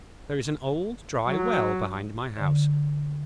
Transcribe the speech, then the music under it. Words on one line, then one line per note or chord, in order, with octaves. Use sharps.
'There is an old, dry well behind my house.
F#3
D3